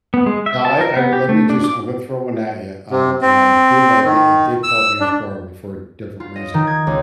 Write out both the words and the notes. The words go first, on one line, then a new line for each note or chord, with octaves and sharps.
Now I I let me just I'm gonna throw one at ya, um, and I did like it, and it did caught me off guard, but for a different reason,
B3
G#3
E5
A5
A#4
B3
G4
A3
D4
D6
C3
C4
D#3
E6
D4
F4
D#5
D#3
G#6
C#2